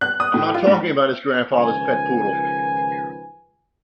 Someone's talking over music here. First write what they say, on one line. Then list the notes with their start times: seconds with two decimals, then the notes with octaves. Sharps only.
I'm not talking about his grandfather's pet poodle.
0.01 F#6
0.20 D#6
0.34 A2
0.54 F4
0.67 G#2
1.53 C#2 D#3 F3 B4 G#5